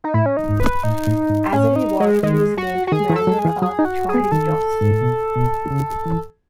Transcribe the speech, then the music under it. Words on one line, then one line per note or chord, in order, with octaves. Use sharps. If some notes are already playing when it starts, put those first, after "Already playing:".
As a reward, he was named Commander of Chorrillos.
D#4
A2 E4
C#4
D#4
G#2
B4
A2 D#4
A2
G#2
A2 C#4
D#4
G#3
D#3 G#3
F#4
F#4
D#3 G#4
E3
A4
F#3
G#4
E3
F#3 G#4
D#4
F#4
G#4
B3
D#3 A4
G#2
A2
B2
B2
C#3
E3